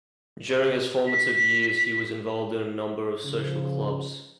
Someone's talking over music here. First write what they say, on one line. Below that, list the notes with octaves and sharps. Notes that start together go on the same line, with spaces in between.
During his formative years he was involved in a number of social clubs.
B6
C#3 F3